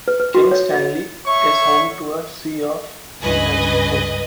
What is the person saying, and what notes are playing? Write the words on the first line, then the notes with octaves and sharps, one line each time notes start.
King's Stanley is home to a C of E Primary School.
B4
B4
F#4
C#5
D#5
C#5 E5 C#6
C#2 G2 B4 D#5 G#5